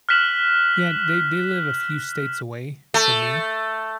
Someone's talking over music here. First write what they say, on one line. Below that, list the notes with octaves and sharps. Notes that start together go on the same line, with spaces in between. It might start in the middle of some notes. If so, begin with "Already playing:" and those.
Yeah, they they live a few states away from me.
F6 F#6 B6 E7 F#7
A3